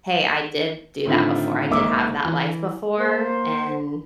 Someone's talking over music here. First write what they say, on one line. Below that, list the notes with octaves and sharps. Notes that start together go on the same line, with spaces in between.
"Hey, I did do that before. I did have that life before, and
A2 D3 D#3 C4 E4 F4
G#1 A#3 D#5 E5 D6 E6
E3
A#3 C5